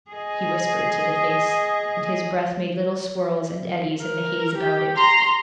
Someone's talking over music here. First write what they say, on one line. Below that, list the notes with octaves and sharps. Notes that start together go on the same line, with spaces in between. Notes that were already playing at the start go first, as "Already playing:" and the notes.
He whispered to the face, and his breath made little swirls and eddies in the haze about it.
G#4 D#5
A#4
G4
A#5 C6